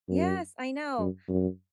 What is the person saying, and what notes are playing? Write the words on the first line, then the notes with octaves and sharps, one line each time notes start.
Yes, I know,
F#2
F#2
F#2